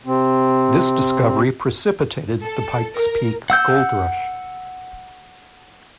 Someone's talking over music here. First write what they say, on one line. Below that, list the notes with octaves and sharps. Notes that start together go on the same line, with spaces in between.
This discovery precipitated the Pike's Peak Gold Rush.
C3 C4
A4
A#4
F#5 E6 G6